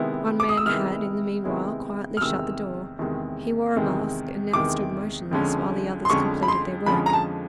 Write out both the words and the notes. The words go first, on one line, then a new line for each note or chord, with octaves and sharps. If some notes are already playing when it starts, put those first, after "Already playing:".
One man had in the meanwhile quietly shut the door; he wore a mask and now stood motionless while the others completed their work.
Already playing: C3 D#3 G#3 B3 E4
D6
D#6
E6
C3 D#3 G#3 B3 E4 F6
C3 D#3 G#3 B3 E4
F6
E2 C3 D#3 G#3 E6
E2 C3 D#3 G#3
E2 C3 D#3 G#3
E2 C3 D#3 G#3 D6
F2 D3 F3 G#3 C#4
C6
F2 D3 F3 G#3 C#4 C#6
B5
C6
F2 D3 F3 G#3 C#4 B5
A#5
A5